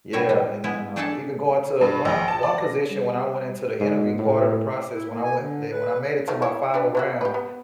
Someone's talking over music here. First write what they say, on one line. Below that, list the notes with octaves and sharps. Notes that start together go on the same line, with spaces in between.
yeah, and then, uh, even going to one one position when I went into the interview part of the process when I went, they when I made it to my final round.
B2 G3 E4 C#5 E5
A2 G3
G#3 B3 E4
A3 D4 G#4 A4 E5 A5
G2
A#1
A5
D5
A#6
G3
G#2
A2
E4
A#3
G#5
D3
B4
D#3 F3 A3
E4 C#5
D4 B4 D5
B3 F4 F#4
G4 B4
B3